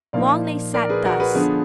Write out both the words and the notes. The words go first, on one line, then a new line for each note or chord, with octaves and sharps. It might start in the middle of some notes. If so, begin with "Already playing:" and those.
Long they sat thus.
A#2 F3 A#3 D#4 D5 F5
A#4 D5
G#4 B4
F#4 A#4
G#4 B4
D3 F3 B3 D4 G#4